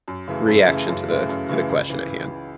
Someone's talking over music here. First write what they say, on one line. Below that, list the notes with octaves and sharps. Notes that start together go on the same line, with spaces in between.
reaction to the to the question at hand.
F#2
C#3 E3 A3
F#2
C#3 E3 A3
F#2
C#3 E3 A3
F#2
C#3 E3 A3
C#2
C#3 E3